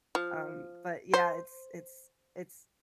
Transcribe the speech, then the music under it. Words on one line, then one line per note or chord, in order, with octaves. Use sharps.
um, but yeah, it's it's it's
F3
C5